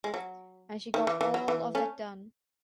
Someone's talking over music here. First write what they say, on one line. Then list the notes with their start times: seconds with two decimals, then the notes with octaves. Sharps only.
And she got all of that done.
0.04 G#3
0.14 F#3
0.94 D#3
1.07 E3
1.21 E3
1.34 F#3
1.48 E3
1.75 A3 C#4